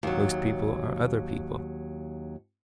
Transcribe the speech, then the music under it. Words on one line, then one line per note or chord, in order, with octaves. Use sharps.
Most people are other people.
D#2 F#3